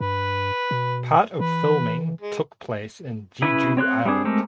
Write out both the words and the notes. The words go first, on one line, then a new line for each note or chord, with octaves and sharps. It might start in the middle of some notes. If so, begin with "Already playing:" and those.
Part of filming took place in Jeju Island.
G2 B4
B2
E3 B4
G#3
C#3 E4 B4
C4 C#5 C6 F#6
G3 C4 D4 G#4
G#3 A3 C4 G4 A#4